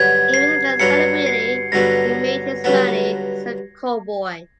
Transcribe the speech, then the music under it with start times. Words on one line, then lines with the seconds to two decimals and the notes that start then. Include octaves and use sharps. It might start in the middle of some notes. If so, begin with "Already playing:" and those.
Even as a celebrity he made his money as a Callboy.
Already playing: G2 D3 F#3 B3 G#6
0.34 C7
0.80 G2 D3 F#3 B3 C#7
1.26 C7
1.72 G2 D3 F#3 B3 A#6
2.64 G2 D3 F#3 B3